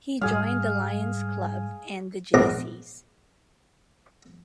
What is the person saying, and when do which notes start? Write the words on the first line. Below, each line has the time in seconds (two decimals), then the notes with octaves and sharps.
He joined the Lions Club and the Jaycees.
0.21 G#2 G3 G#4 F5
2.34 A#1 E2 G#2 A#5 D6